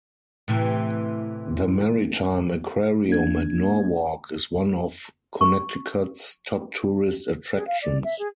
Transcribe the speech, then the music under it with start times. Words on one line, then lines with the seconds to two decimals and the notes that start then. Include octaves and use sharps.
The Maritime Aquarium at Norwalk is one of Connecticut's top tourist attractions.
0.48 A2 C3 E3
3.09 A#3 D4 G#6
5.41 C#6
7.55 G#4
7.67 F5
7.82 D5
8.04 E5
8.19 G#4